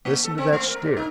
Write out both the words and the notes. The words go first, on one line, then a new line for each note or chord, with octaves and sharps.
"Listen to that steer."
A#3
A4
C4
A3
A#4
A#2
D#4